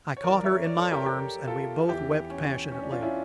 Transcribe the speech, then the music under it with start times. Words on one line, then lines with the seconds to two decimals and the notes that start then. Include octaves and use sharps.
I caught her in my arms, and we both wept passionately.
0.17 C#5
0.24 F2 E3 A#4 D5
0.44 C#5 E5
0.65 A#4 D5
0.78 A4 C#5
0.92 G4 A#4
1.06 G4 A#4
1.47 F4 A4
1.89 E2 E3 E4 G4
2.30 C#4
2.72 C#4
2.82 D4
2.92 D4 F4
3.03 C#4 E4